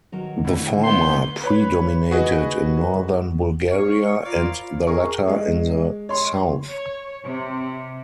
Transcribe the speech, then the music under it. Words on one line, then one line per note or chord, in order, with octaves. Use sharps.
The former predominated in northern Bulgaria and the latter in the south.
D#3 F#3 A#4
A2 D3
B3 C6 G6
B4 C#5 B5
F#4 G#4 B4 D#5
C5 C#5 F5 C#6
E4 F4 A#4 D5 F5
G#4 A#4 C#6
G#3
C#5 C6
C#5
C3